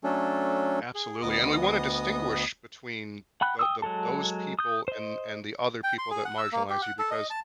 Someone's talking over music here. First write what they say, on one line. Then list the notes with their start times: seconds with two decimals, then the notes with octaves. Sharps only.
Absolutely, and we want to distinguish between the the those people and and the other people that marginalize you because
0.04 F#3 A3 C#4 D4 A4
0.95 G#4
1.22 D2 B3 D#5 D#6
3.41 F#5 G5 B5 F#6
3.59 G5 D#6 E6
3.82 F#3 G#3 A4 A5
4.59 D#6 G6
4.88 C5 D#5
5.84 G5
5.98 C6
6.11 G#4
6.25 F#5
6.38 E6
6.52 A#3
6.70 G4
6.82 F#5
6.99 A4
7.11 D#5
7.30 A5